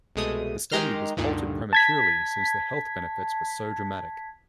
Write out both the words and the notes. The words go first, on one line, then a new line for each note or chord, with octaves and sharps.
The study was halted prematurely since the health benefits were so dramatic.
C2 B2 G#3 A3 D#6
D#3 G#3 G4 A#5 C6 F6
D2 G2 A#2 D3 D#3
A5 G#6 B6